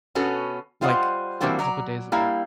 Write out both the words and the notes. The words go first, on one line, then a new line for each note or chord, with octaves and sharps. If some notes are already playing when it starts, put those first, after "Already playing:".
like like, couple days ago.
B2 B3 C#4 F#4 A4
G3 F4 C5 D#5 F#5
E3 G3 A#3 C4 D4 F#4
F#3 D5 A#5
G3 A#3 E4 F5